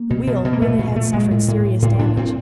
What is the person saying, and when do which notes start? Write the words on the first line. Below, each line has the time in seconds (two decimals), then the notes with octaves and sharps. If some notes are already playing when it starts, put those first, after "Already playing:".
The wheel really had suffered serious damage.
Already playing: A#3
0.10 B2
0.27 B2
0.45 B2
0.53 A#3
0.62 A#2 A3
0.78 A#2
0.96 A#2 A3
1.13 A#2 G#3
1.31 A2
1.48 A2
1.65 A2
1.82 A2
1.99 A2 D4
2.16 A2 C4